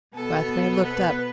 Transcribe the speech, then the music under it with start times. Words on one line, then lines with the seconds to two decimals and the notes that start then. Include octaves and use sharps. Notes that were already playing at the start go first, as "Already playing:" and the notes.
Rathbury looked up.
0.15 B2 B3 A4
0.84 B4